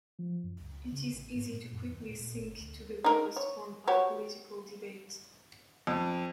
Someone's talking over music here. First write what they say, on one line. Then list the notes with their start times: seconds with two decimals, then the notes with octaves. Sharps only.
It is easy to quickly sink to the lowest form of political debate.
0.19 F3
0.44 F#2
0.60 C#2
0.92 C#3
1.13 A1
1.35 G#2
1.53 A#2
1.73 F#2
1.90 D#2
2.09 A#2
2.34 G1
2.59 D2
3.04 D#4 A#4
3.36 C#5
3.87 F#4 G4 C#5
5.87 F2